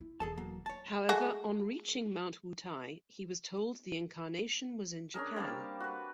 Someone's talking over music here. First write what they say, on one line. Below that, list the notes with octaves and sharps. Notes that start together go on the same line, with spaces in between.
However, on reaching Mount Wutai, he was told the incarnation was in Japan.
E4
E1 E3 G#4 A4 A5
F#3 A#3
C#5 A5
G#3 A3 F#4
C#4 D4 G#4 A#4
G3 A#3 C4 A5
F#4 B4